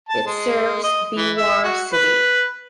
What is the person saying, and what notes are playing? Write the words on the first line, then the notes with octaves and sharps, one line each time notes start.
It serves Beawar city.
A5
G#3
D#5
E3
E5
F#4
B4